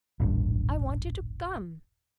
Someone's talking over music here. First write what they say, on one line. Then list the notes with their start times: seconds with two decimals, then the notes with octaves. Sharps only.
'I wanted to come.
0.20 D#1 A1 G2